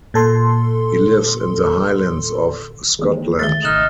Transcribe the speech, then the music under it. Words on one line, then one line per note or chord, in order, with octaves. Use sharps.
He lives in the Highlands of Scotland.
A#2 A4 C6
D#2 E3 G#3
D#3 A3 E5 A6 G7
G#1 C3 D#4 F6 F#6 E7